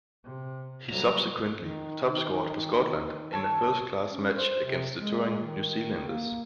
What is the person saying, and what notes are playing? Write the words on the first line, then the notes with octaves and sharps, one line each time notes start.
He subsequently top-scored for Scotland in a first-class match against the touring New Zealanders.
C3
D2 F#3 G3 A#5
D#3
A4 C#5
C#4
C5
C3
G#3
D#3
A#3